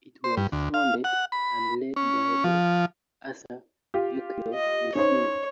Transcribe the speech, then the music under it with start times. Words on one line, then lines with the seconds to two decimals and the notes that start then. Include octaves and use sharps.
It was founded and led by the author Yukio Mishima.
0.24 C5
0.37 G2
0.52 D2
0.74 F5
1.04 F#5
1.32 B5
1.96 C#4
2.44 F3
3.94 F4 G4
4.54 D#5
4.95 C#4 D#4 C5 C#5